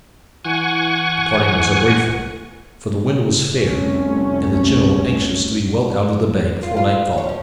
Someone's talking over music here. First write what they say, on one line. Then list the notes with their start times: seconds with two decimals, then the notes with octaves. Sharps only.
The parting was a brief one, for the wind was fair, and the general anxious to be well out of the bay before nightfall.
0.45 E3 F#5 G#5 C#6
3.51 F1 C2 A3 C#4
6.63 F4
6.77 F4
7.18 C#5
7.29 F3